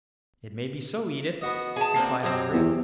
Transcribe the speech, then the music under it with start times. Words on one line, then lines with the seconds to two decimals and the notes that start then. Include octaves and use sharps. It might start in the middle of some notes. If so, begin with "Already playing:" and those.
"It may be so, Edith," replied Humphrey.
1.41 B3 F#4 D#5
1.76 G#4 A5
1.96 A#3 C4 D4
2.23 F#2 C4 G4 D#5 G#5
2.53 E2